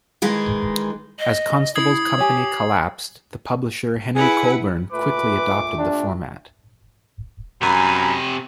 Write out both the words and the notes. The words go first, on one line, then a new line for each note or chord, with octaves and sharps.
As Constable's company collapsed, the publisher Henry Colburn quickly adopted the format.
D#3 E3 G#3
D#5
E4 D#6 G#6 C7
G4 C#5 G#5
E4 G#4 B4 F#5
A#2 A3 B4 D6
D4 G4
F#2 C3 G#5 A#5 B5